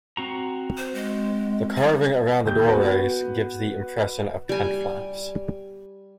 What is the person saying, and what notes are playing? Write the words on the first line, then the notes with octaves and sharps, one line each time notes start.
The carving around the doorways gives the impression of tent flaps.
C4 F#4 A#5
C5
G#3
G3
D#2 G6
B3 F#4 B4
G3 G#5